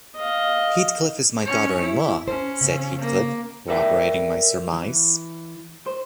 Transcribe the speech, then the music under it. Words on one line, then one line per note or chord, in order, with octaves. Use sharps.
Heathcliff is my daughter-in-law,’ said Heathcliff, corroborating my surmise.
D#5 F5
C#4 C#5
E4
C#4 C5
C#3 C4
A#3
A4 A#4 D5 E5 G5
E3
C5